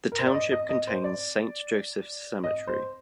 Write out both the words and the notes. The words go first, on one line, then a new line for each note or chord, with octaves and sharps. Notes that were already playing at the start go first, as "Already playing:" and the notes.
The township contains Saint Joseph's Cemetery.
A#4
C5
D5
D#5
D#5
D#5
C5
D5
D#5
C5